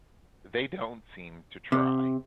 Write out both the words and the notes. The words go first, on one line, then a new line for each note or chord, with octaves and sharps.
They don't seem to try.
C3